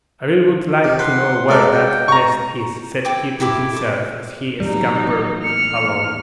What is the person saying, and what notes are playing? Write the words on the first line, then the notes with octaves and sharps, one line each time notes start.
"I really would like to know where that nest is," said he to himself as he scampered along.
C3
B4 F#5 C6
C#2 A4 A#4 D5
G5
A#5 C#6
E4 G5 D6
E4 G4 E5 D6
A4 D6
D#2 A2 E3 F#3 G3 D#4
F6 C#7